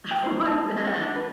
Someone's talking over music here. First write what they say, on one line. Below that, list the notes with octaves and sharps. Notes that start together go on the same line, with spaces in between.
I want that.
G5
C5
A5
G#4
F#5
D4
B4